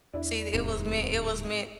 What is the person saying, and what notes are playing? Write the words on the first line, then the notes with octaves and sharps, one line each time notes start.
See, it was meant it was meant
E2 D4 E4
D1 G#2 C3